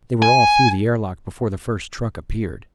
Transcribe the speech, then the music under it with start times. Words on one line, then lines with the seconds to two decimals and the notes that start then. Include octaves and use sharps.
They were all through the air lock before the first truck appeared.
0.22 G#5